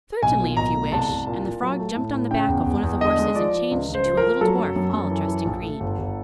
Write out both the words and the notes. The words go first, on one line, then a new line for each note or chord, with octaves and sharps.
'Certainly, if you wish,' and the frog jumped on the back of one of the horses, and changed into a little dwarf, all dressed in green.
B1 G#5
A#2
B1 A#5
A3
C2 A5
C2
A#2
A#2
F#3
A3
A2
A2
C#3 G5
E2
E2
E2
D3 D#5
G#3
F3 D5
F3
C#2
C#2
C5
F3
A#4
F3
F#3 A4
F#2
F#2
F#2
E3
E3
A#1
A3
G1
G1